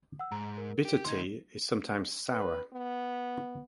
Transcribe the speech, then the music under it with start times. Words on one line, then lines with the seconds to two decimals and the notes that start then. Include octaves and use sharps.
Bitter tea is sometimes sour.
0.19 F#5 E6
0.32 G#2 A#5
0.58 A#4
0.85 G4
1.05 D2 D#4 C6 G#6
2.30 B4
2.73 B3